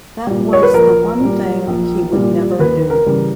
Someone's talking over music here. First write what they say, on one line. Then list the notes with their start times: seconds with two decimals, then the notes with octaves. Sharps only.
That was the one thing he would never do.
0.27 A#2 G3
0.53 C#5
0.63 B4
0.73 A#1 A#4
1.20 A#2 G3
1.67 A#1
2.13 A#2 G3
2.59 D#2 B4
2.90 A#4
3.06 C#3 E3 G3